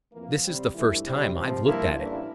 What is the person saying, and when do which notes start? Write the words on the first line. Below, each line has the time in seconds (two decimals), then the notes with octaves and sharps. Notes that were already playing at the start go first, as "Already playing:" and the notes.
This is the first time I've looked at it.
0.13 F2 E3 A#3
0.43 C3 G3 C4
0.74 G2 E3 A3 E4
1.04 C3 G3 C4 E4
1.35 C3 F3 C4
1.65 G2 F3 A#3 E4 A#4
1.96 A1 A2 E3 A#3 D4